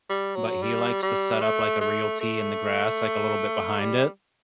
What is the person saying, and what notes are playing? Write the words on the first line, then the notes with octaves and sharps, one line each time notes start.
but he likes to set up, like, a real tee in the grass, like, a little bit behind it,
G3
F#3
G3
G3
A3
A3
A3
G3